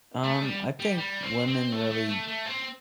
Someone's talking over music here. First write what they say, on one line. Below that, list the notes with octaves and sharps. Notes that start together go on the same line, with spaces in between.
Um, I think women really
A3
G3
G3
G3
C4
C4
A3
A3
A3
A3
C4